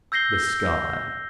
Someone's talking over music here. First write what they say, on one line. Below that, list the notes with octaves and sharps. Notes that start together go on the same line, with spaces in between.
The sky.
E6 G6 A#6 C7 G7